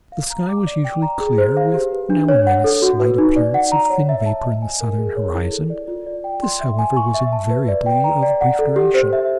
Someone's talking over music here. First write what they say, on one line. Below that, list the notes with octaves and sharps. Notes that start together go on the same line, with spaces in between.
The sky was usually clear, with now and then a slight appearance of thin vapour in the southern horizon--this, however, was invariably of brief duration.
F5
A#5
D6
D5
G5
A#5
G#4
C5
F5
G4
B4
D4
C#5
F#5
A4
F#4
B4
D#4
D5
F#5
A#5
C#5
E5
A5
D#5
G#5
A#4
G#4
C#5
E4
A4
D5
F4
D5
G5
C6
E5
G#5
C#6
E5
A5
B4
D5
G5
A#5
D5
F#5
A4
G4
C5
E5